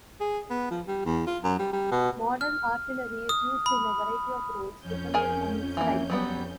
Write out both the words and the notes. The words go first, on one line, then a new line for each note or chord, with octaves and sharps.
Modern artillery is used in a variety of roles, depending on its type.
G#4
B3
F3
G3
E2
F4
F#2
G3
G3
B2
F6
D#6
B5
F2 C#4 G6
G#4 A#4 G#5
E3 A#3
F#3 G3 B3